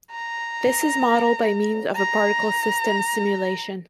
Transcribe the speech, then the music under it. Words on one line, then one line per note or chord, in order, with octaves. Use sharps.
This is modelled by means of a particle system simulation.
A#5
A#5